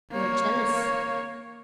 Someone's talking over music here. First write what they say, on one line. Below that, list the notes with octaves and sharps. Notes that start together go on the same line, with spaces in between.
You are jealous.
A#3 C#5